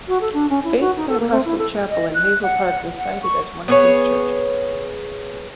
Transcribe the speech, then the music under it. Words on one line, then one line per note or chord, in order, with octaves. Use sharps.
Faith Pentecostal chapel in Hazel Park was cited as one of these churches.
F#4
A4
D4
C#4
E4
F#4
D#4
A4
A#3
C4
E4
A4
D#5
F#6
F#5
F#5
C#6
B3 G#4 C#5